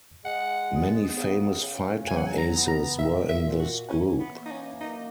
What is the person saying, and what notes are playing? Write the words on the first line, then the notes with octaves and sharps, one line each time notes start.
Many famous fighter aces were in this group.
G#3 F#5
B3
C#3
C#3
F#3 G#5
F#5
G#5
A#5
B3
A#5
A#2 E5
E5
A#2
F#4
E3 C#4
B3
A#3
D#4
C#4
F#2 D#4